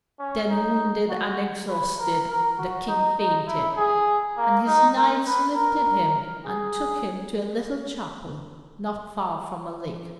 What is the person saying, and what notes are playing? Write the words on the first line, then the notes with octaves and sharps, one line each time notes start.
Then, wounded and exhausted, the King fainted, and his knights lifted him and took him to a little chapel not far from a lake.
C#4
D#4
F#4
B4
A#4
A#4
F#4
D#4
D#4
E4
G#4
A#3
D#4
A#4
B4
A#4
G#4